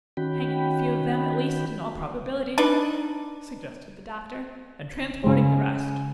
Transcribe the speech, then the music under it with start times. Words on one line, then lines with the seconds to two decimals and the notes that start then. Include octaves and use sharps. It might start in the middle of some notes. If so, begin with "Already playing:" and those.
'Hanging a few of them at least, in all probability,' suggested the doctor, 'and transporting the rest.'
0.17 D#3 C#4 F#4 G5 B5
2.58 D4 D#4 B4
5.24 C#3 G#3